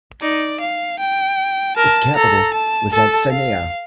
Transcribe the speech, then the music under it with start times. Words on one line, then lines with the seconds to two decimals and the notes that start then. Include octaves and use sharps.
Its capital was at Sana'a.
0.22 D#4 D5
0.61 F5
1.00 G5
1.76 A#4 A5
2.16 A4 A#5
2.54 A5
2.93 A4 A5
3.32 F5